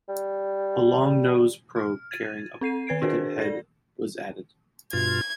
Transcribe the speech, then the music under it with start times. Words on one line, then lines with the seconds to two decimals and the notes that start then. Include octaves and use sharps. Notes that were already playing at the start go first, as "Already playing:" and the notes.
A long nose probe carrying a pitot head was added.
0.08 G3
1.76 F6
2.11 G#6 A6 D#7
2.61 C4 A4 C7 D#7
2.87 D#3 B4 G#6 C7 D7
3.02 D4 F#4 G#4 A#4 C5
3.38 A4 D5 A#6
4.93 G2 B2 F4 G#6